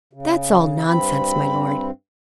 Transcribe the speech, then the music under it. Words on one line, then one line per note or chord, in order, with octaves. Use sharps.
"That's all nonsense, my lord."
C#3
G2 C4 B5